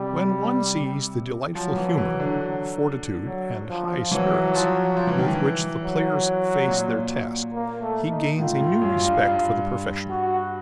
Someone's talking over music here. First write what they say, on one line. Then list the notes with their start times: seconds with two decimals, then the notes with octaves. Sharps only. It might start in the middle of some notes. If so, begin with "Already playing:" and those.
When one sees the delightful humour, fortitude, and high spirits with which the players face their task he gains a new respect for the profession.
Already playing: C3 G3
1.55 F3 F#3
1.76 E3
1.97 E3
2.20 D3
3.26 F#3
3.69 F3
4.11 E3 F#3
4.54 F3
4.97 F3
5.07 E3
5.18 D#3
5.28 E3
5.82 F#3
6.68 A#2
7.53 A#3
7.81 A3
8.10 D#4
8.39 A2 F4
8.60 A2
8.81 F#2
9.03 G2
9.24 G2
10.10 F#4